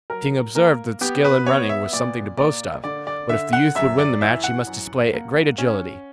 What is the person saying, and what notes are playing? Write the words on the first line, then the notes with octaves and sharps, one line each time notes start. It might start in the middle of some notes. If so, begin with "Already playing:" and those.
The king observed that skill in running was something to boast of, but if the youth would win the match he must display great agility.
F#3 A#4
A#3 A#4
B3 G4
B4
B3 C#5
E5
A#2 D5
A#3 D5
D3 D5
D5
D3 E5
F#5
F#2 E5
D5
E3 E5
F#5
F#2
A#3
C#4